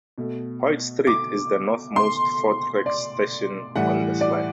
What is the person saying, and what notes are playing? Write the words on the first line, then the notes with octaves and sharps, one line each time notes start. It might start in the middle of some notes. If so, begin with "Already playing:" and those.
Hoyt Street is the northernmost four-track station on this line.
B2 A3
D6
C6
D5
A2 E3 G3 F#5
D5